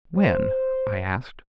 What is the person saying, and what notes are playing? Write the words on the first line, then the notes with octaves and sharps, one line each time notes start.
"When?" I asked.
C5